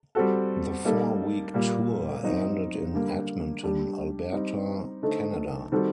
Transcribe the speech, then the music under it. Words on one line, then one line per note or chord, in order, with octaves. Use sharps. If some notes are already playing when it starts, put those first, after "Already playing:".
The four-week tour ended in Edmonton, Alberta, Canada.
G3 C4 F#4 A4
G3 A#3 D#4 A4
A#2 G3 A#3
F#3 C4 D#4
D3 G3 A#3
G3 D4 G4
G3 C4 D#4
D3 A3 D#4 A4 C5
D#3 G3 C4 F#4 A4